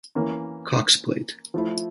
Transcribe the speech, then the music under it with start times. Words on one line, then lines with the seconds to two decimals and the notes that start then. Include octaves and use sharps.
Cox Plate.
0.15 E3 A#3 C#4
1.54 F3 A3 E4